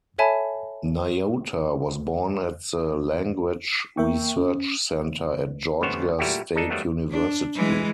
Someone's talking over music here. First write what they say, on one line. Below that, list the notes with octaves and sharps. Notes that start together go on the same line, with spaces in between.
Nyota was born at the Language Research Center at Georgia State University.
A4 C#5 E5 G#5 A5 B5
A#3 A#4 E5 G5 C#6
C#4
A1 D2 G3 B3 C5 C#5
A#2 G3 A3 E4 F#4 G4
D4 D#4 A4
D#3 F#3 G3 A3 B3
D4
E3 G#3